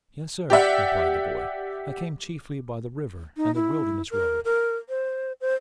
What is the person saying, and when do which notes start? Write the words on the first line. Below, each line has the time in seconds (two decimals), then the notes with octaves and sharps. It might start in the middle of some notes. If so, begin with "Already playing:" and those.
"Yes, sir," replied the boy, "I came chiefly by the river and the Wilderness Road."
0.50 G4 D5 E5 F#5
3.37 D#4
3.55 E4
4.11 A#4
4.45 A#4
4.89 C5
5.41 C5